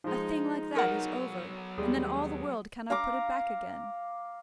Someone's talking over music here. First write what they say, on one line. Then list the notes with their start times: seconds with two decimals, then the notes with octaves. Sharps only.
A thing like that is over, and then all the world cannot put it back again.
0.04 F3 G#3 D#4
0.76 F#3 B3 A#4 F#5
1.78 D#2 G3 G#3 G#4
2.90 F5 A#5 D6